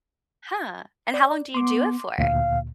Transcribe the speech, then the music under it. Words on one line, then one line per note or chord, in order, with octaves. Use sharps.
Huh, and how long do you do it for?
D5
B3 C6 D6
D2 A#2 F5